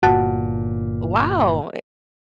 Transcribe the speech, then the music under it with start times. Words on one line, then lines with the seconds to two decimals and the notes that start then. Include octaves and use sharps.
Wow, it
0.03 G1 A#2 F#4 F#5 A5